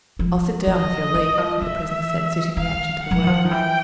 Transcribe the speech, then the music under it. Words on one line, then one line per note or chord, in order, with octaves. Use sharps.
"I'll sit down, with your leave," the prisoner said, suiting the action to the word.
F3
F3 D#5
E3
F3
E3 E5
D#3 F5
F#5
F3
E3
F3
D#3
E3 G5